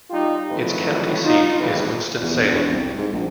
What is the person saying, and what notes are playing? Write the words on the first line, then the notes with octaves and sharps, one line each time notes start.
Its county seat is Winston-Salem.
G3 D#4 F4 G4
G#1 F2 A2 D#3 F#3 B4
D#4 F4
G#1 E2 A2 D#3 G3 B4
E2
E1
C2
G#2
A#1